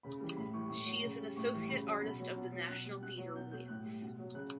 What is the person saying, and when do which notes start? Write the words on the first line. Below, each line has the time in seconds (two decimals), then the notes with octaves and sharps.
She is an associate artist of the National Theatre Wales.
0.03 C#3 B5
0.20 E3 G3
0.37 A2 B5
0.54 E3 G3 C#6
0.70 A2 C#6
0.86 F#3
1.03 C#3
1.20 G3
1.37 A2 C#6
1.54 E3 G3
1.69 C#3 B5
1.87 F#3
2.02 B2 B5
2.20 F#3
2.36 B2
2.52 F#3
2.69 B2 F#6
2.86 G3
3.02 B2 F#6
3.18 F#3
3.35 B2 G6
3.51 F#3 G6
3.68 A2 F#6
3.84 G3
4.02 B2
4.19 F#3
4.34 C#3 F#6